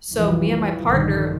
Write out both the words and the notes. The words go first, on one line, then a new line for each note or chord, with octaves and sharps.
so me and my partner
B1 F2 E3 F3 G3
A#1 G2 D3 D#3